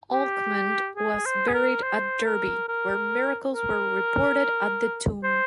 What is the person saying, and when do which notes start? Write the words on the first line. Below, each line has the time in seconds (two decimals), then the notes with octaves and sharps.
Alkmund was buried at Derby, where miracles were reported at the tomb.
0.12 G4
0.97 G#4
1.26 C5
1.48 G#4
1.54 A#4
1.83 C5
2.25 A#4
2.68 A#4
3.53 A#4
5.24 C5